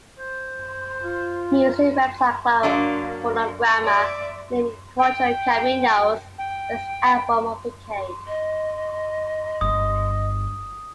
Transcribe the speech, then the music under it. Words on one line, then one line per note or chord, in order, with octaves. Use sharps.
Music website Club Fonograma named Cuatro Caminos best album of the decade.
C5
F4
F#3 A#3 D4
D5 E5
G5
G5
D#5
G1 G2 D#6